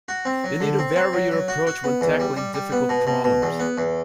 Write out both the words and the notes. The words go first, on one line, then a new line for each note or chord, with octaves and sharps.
You need to vary your approach when tackling difficult problems.
F#4
C4
F#3
D3
C4
C4
F#3
F#3
F#4
F#4
B3
E2
G3
G3
G3
B3
B2
B2
B2
E2
B3
E2